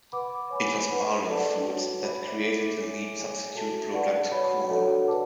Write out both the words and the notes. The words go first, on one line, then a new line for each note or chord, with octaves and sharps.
It was Marlow Foods that created the meat substitute product Quorn.
B4 F#5 B5 D6
C#5 G#5 B5
B4 F#5 B5
A4 D5 A5
F#4 C#5 F#5
C#5 E5 B5 D6
E4 A4 E5 B5 D6
C#5 E5 G#5 D6
G#4 C#5 G#5
F#4 A4 E5 A5
B4 D5 F#5 A5 C#6
F#4 C#5 F#5 B5
D4 F#4 A4 C#5 F#5
G#4 B4 D5 A5 D6